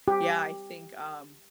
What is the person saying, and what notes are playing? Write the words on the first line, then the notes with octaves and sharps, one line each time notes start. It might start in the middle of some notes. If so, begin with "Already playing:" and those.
Yeah, I think, um,
G4